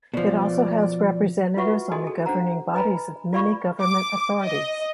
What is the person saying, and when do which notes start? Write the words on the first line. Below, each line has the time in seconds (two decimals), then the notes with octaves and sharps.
It also has representatives on the governing bodies of many government authorities.
0.14 B2 F3 D5
1.57 F4 F#4 B4 E5 F#5 C#6
1.92 F#4 G#4 A4 D#5 G#5 C6
2.07 G#4 A4
2.26 D4 C5 F#5 A#5
2.74 B4 D#5 G#5 A#5 B5
3.33 F4 G4 D5 F5 B5 C#6
3.81 D6
4.43 D#5